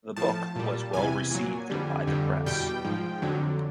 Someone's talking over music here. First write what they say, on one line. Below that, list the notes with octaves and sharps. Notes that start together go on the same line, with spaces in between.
The book was well received by the press.
A2 F3 A5
A#2 G3
E2 C3 E3 G#5
A#2 F#3
F2 D3 G3
F2 D3 G3
E2 B2 G3 G5
G#2 F3
F2 D3 F#3